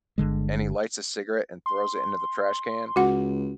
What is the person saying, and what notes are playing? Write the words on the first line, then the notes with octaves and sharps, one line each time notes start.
and he lights a cigarette and throws it into the trash can
G1 D3 G#3
C6
C#2 F#4 F#5